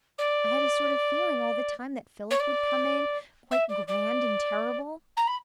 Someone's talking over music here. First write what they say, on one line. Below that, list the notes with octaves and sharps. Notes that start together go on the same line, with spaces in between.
I had a sort of feeling, all the time, that Philip would come in quite grand and terrible.'
D5
C#5
D5
E5
D5
D5
A#5
B5